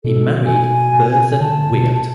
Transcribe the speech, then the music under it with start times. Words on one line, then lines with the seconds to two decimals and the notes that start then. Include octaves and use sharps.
He married Berthe Guiot.
0.04 B2 A4
0.46 G#5
1.41 D3 A5
1.72 B2